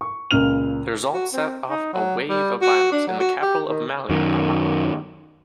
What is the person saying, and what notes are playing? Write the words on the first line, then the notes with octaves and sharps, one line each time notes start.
The result set off a wave of violence in the capital of Mali, Bamako.
C#6
C#2 A#2 C#3 F6 F7
F#4
C4
D#4
F#3
G3
F#4
D4
F#3
F#4
G4
D#3
F#2 D#3